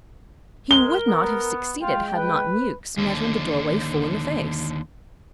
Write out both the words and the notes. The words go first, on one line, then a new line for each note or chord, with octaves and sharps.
He would not have succeeded had not Mewks met her in the doorway full in the face.
G#3 A#4 G7
B3
G#3 F4 G5
B4
D#2 D3